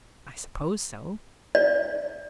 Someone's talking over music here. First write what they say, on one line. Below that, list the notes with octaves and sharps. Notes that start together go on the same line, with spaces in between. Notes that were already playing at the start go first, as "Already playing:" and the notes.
"I suppose so."
D5